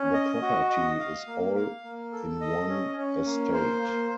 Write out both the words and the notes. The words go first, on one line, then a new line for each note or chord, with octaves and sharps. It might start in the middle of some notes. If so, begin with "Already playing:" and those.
The property is all in one estate.
Already playing: C#4
D#5
F#4
D#5
F5
A#3
F5
A#3
A4
D#5
C#4
C#4
A#3
C5
A#3